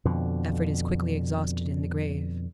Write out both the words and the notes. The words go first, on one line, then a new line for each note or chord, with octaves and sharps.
Effort is quickly exhausted in the grave.
F2 B2 D3